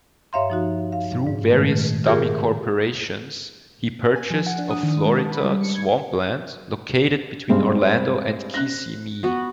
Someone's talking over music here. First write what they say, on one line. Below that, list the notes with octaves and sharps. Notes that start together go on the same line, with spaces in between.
Through various dummy corporations, he purchased of Florida swampland located between Orlando and Kissimmee.
G2 C#5 E5 F5 A#5 C6
F3 D#4 F#4
F5
G#2
A#2 D#3 G#3 A3
F4 G4 G#4 A#4
G#5
F3
F#5
D4
D#6
D#3
G#3
A5
B5
G3
C#7
G#6
G2 G#3 C4
F#6 A#6
B3 F#4 F#5